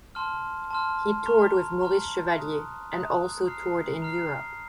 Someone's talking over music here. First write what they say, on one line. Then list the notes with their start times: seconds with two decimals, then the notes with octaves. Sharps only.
He toured with Maurice Chevalier and also toured in Europe.
0.15 A5 C6 F6
0.71 A5 C6 F6
1.26 A#5 C#6 F6
1.81 A#5 C#6 F6
2.36 A#5 D#6 F#6
2.91 A#5 D#6 F#6
3.46 A#5 F6 C7
4.02 A#5 F6 C7